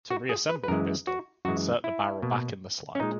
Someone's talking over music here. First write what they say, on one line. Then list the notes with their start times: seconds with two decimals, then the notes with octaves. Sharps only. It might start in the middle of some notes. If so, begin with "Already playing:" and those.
To reassemble the pistol, insert the barrel back in the slide.
0.10 F#4
0.29 G#4
0.49 B4
0.64 B4
0.68 F#2 E3 G#3 A#4
1.07 F#4
1.45 F#2 E3 G#3 F#4
1.84 E4
2.22 B2 A#3
2.95 C#4
3.00 A#2 G#3 D#4